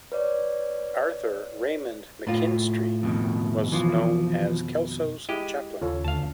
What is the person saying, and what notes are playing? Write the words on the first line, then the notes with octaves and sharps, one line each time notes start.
Arthur Raymond McKinstry was known as Kelso's chaplain.
B4 C#5 D5
A2 F4
F2 B2 D#3
E3 F3
G#3 E4 G4 D#5
D#2 C#3 C#4 F4 A4 C#5
D2 F5 A5